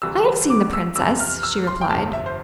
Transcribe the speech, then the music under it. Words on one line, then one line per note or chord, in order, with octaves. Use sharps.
"I have seen the princess," she replied.
D2 C3 E3 G3 E6
D6
E6
F2 C3 E3 E6
F6
E6
C6
G5
G1 F2 C3 A5
E5
C5